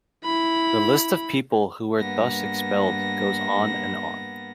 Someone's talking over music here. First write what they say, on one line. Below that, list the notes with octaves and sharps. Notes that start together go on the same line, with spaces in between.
The list of people who were thus expelled goes on and on.
E4 B5
G2 A#3 B3 A#6